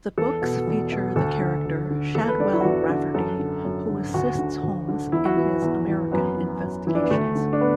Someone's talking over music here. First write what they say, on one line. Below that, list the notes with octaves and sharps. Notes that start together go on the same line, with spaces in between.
The books feature the character Shadwell Rafferty, who assists Holmes in his American investigations.
E2 A4
B2
E2
B2
D2 A4
D3
D2
D3
E2 A4
B4
D3 D5
E4
F#4
E2 E4
D3
F#2 A4
D3
F#2
D3
D2 F#4
D3
D2
D3
E2 E4
F#4
E3 E4
E2
E3
F#2 B3
E3
F#2
E3 E4
D4
B3
D2 A3
D3
D4
B3